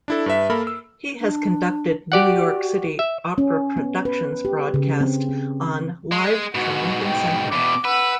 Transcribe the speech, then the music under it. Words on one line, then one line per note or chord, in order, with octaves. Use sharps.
He has conducted New York City Opera productions broadcast on Live from Lincoln Center.
D4 E4 A4
G2 B4 E5
A#3 A4 A#4 B5 F6
E6
D4
F#4 G4 D5 F#5
E5
C#4
B3
B4
G4
C#3
C4
C#4
G#3
G#2 B2 F#4
G5
E2 B2 D6
B4 F#5 E6